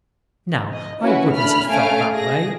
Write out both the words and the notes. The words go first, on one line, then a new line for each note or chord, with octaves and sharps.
Now, I wouldn't have felt that way.
D#5
C#4 E4 F#4 B4
A3 D4 B5 F6
A3 C#4 F5 G#5 F6 D7
G#4 A#6